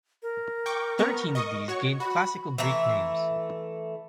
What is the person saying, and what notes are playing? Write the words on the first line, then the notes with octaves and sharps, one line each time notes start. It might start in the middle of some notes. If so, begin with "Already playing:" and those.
Thirteen of these gained classical Greek names.
A#4
G5 C#6 D6
B3 A#5 C#6
D#5 C#6 D#6
F#4 C#5 C#6
F#4 B5
E3 A3 E5 A#5